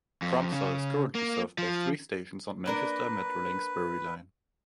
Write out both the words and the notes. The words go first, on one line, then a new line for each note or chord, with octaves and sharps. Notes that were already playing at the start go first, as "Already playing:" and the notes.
Crumpsall is currently served by three stations on Manchester Metrolink's Bury line.
F2
C#3
A#3
F3
A#3 D4 A#4 B4